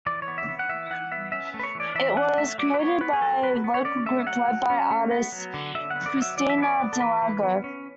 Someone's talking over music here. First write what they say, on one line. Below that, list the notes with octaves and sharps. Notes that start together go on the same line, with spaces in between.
It was created by a local group lead by artist Cristina Delago.
E3 D5
C#5
B3
E5
B3
F#5
E3 E5
E3 F#5
B3 E5
C#4 E5
A3
B4
C#5
E3 D5
E3 E5
C#4 F#5
A3 E5
F#3 D5
B4
B3 C#5
B3 B4
G#4
F#3 A4
F#3 B4
B3
C#5
C#4 D5
A3 E5
F#3 F#5
F#3
C#4
A3
B3
F#3
D3
D3 E5
F#5
B3
D5
F#3 E5
E3 D5
E5
B3 D5
B3
A4
E3 B4
E3
B3
C#4